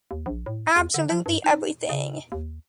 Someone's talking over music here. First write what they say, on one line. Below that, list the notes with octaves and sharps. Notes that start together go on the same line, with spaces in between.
Absolutely everything.
D#2
A#1
A2
E2
D3
F3
G2
D#4
C#3
D#2